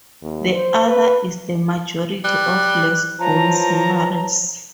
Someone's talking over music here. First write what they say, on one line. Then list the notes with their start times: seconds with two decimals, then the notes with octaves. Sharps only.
The other is the majority of Les Bonnes Mares.
0.22 D#2
0.55 C5
0.87 B4
2.24 G3 F#6
3.19 F3 B4 C#5 A5 A#5